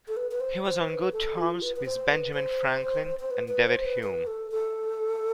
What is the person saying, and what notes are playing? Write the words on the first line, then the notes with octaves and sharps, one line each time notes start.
He was on good terms with Benjamin Franklin and David Hume.
A4
B4
B4
C5
C5
B4
A4
F4
B4
B4
C5
B4
C5
C5
B4
B4
C5
B4
B4
A4
A4